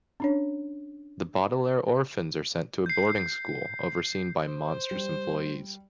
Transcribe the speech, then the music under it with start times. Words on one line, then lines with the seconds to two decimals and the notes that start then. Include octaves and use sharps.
The Baudelaire orphans are sent to a boarding school, overseen by monstrous employees.
0.20 C#4 D4 C#5
2.86 G6 C7
4.48 C5
4.91 G3